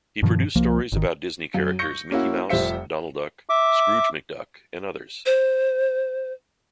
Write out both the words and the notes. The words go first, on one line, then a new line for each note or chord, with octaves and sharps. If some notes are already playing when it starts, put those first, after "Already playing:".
He produced stories about Disney characters Mickey Mouse, Donald Duck, Scrooge McDuck and others.
G2 B2 D#3 F3
C2 F3 A#3
G#1 D#3
F#2
C#6 G6 A#6 C#7
A#3 C#4 E4 F#4
F1 F3 G3 C5 E5 C#7
E5 D6
C5